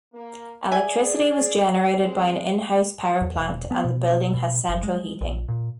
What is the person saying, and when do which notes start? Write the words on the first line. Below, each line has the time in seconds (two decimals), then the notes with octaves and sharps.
Electricity was generated by an in-house power plant and the building has central heating.
0.14 A#3
0.71 G#4 D5 E5 G#5
2.02 G#3 C4
3.21 E2
3.37 E1
3.71 B3
3.84 B2
4.34 B2
4.68 F#1
4.83 G#3
5.21 A#1
5.48 A#2